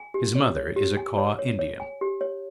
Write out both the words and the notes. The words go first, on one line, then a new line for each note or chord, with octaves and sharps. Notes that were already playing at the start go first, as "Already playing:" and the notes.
His mother is a Kaw Indian.
Already playing: G#5
G4
C#5
C#5
G4
G#5
C#5
C#5
C#5
G#5
G4
C#5